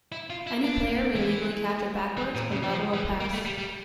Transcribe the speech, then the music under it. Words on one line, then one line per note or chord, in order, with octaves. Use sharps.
Any player may legally catch a backwards or lateral pass.
E4
F4
E4
D4
E3
E3
A#2
C#3
E3
F3
E3
A#3
A3
G3
G3